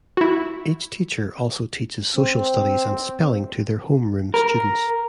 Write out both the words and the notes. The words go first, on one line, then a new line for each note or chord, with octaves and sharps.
Each teacher also teaches social studies and spelling to their homeroom students.
E4 F#4
C4
A#4